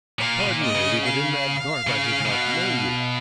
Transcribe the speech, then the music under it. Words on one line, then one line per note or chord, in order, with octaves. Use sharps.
"Pardon, Lady, but in that garb I did not know you."
A#2 F5
B2
A#2
D#5
C#3
F5
C#3
C#3
B2